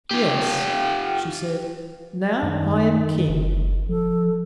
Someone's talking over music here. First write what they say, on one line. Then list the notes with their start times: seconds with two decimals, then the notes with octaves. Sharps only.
"Yes," she said; "now I am king."
0.11 F4 G4
2.43 F#2 D#3
3.28 F#1
3.89 F3 A4